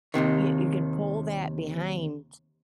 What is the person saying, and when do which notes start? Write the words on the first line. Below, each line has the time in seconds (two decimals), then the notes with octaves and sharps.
yeah, you can pull that behind.
0.14 D#2 G#2 C3 D#3